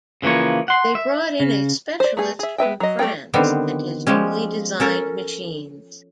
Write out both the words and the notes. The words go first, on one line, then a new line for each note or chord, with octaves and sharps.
They brought in a specialist from France and his newly designed machines.
C#3 E3 F3 A#3 C#5
F#5 C6
E5
C#3
C5 D5
A3 B3 G#4
G#4 E5
B3 B4 E5 G5
F#3 D#5
G3 A3 A4 A#4 G5
D3 D#3 G3 B3 C4
F3 G3 G#3 C#4
C#4 A4 A#4